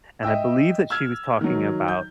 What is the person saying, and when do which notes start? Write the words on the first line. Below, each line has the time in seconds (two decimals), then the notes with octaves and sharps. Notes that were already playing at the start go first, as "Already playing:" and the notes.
and I believe that she was talking about
0.23 D#5 E5 G5 E6
0.90 E6 F6 G#6
1.41 D#3 F#3
1.88 G6